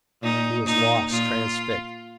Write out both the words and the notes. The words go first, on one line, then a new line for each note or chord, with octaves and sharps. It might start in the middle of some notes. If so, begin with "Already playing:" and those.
He was lost, transfixed.
A#2 D#4
A#2 D#4
A#2 F4